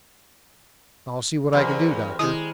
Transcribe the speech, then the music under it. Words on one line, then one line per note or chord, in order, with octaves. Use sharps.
"I'll see what I can do, Doctor."
E2 G3 C4 A#4
D#3 G#3 E4 D#6